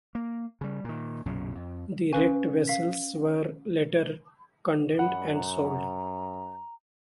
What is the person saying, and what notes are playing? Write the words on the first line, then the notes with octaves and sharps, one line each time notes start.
The wrecked vessels were later condemned and sold.
A#3
C#3 G3
A#2 D#3
B1 F#2 A#2 C#3
F2
C#4 B4 F5 G#5
F5 B6
F#2 F#5 B5
A#5